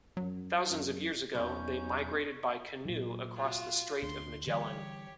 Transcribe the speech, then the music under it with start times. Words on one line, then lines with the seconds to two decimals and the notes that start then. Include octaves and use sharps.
Thousands of years ago, they migrated by canoe across the Strait of Magellan.
0.17 F#2 F#3
0.71 F#2
1.35 B1 E2 C#4 D#4 C#6 G6
2.85 A#2 F#3
3.35 F4 F#4
4.02 D2 D4 C6
4.47 D3 E3 G3 G4 C#5